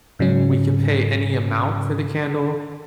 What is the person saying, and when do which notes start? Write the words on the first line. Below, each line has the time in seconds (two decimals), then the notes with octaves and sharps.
we could pay any amount for the candle,
0.19 G#2 C#3 F#3 C#4